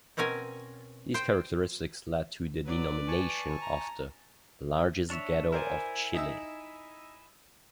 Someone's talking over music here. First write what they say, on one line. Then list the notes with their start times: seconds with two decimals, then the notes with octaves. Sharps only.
These characteristics led to the denomination of the "largest ghetto of Chile".
0.17 B2 C4 C#4 A#4 G#5
1.14 C5 G5
2.65 F#3 B4 D5
3.08 G#5 A5 C#6
3.61 A#5
5.10 D4 C#5 E5
5.52 E4 A#4 C5 D5 G#5
6.14 D#4 E5 E6